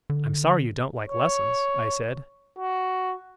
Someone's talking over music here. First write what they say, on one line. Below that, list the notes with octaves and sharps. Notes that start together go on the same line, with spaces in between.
"I'm sorry you don't like lessons," I said.
D3
C#5
F#4